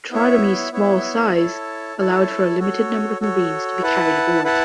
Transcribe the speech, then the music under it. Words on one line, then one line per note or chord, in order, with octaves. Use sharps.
Triremes' small size allowed for a limited number of marines to be carried aboard.
B3 E4 C#5 E5
B3 E4 C#5 E5
E4 A4 C#5 A5
E4 A4 C#5 A5
F#4 A4 C#5
F#4 A4 C#5
E4 B4 F#5 A5
E4 B4 F#5 A5